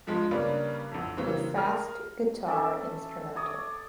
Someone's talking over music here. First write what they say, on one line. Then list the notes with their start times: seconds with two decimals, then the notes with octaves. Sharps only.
A fast guitar instrumental.
0.07 G2 F3 G#3 F4
0.31 C#3 G3 A#3 D4 B4
0.91 A1 F2
1.17 C#3 E3 A#3 C4
1.56 G#4 A#4 F6
2.47 C#4 A4 D5 E5
3.36 C#5 D5 D#6